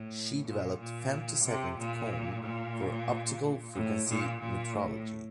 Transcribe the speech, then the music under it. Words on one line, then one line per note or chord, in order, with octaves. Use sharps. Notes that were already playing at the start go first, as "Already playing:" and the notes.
She developed femtosecond combs for optical frequency metrology.
Already playing: A2
A#2
A#2
C3
A#2
A#2
A2
A#2
A#2
A2